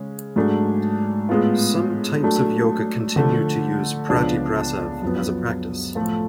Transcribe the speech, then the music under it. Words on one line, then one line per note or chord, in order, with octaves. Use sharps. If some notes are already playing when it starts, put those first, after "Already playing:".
Some types of yoga continue to use "prati-prasav" as a practice.
Already playing: C#3 G#3 C#4
G#2 F#3 A3 D4 G#4
A2 G#3 B3 F4
F#3 A3 D4
D3 F3 A3
C#2 C#3 F3 B3 D4
F#2 F3 B3
A2 F3 A3 F4 A4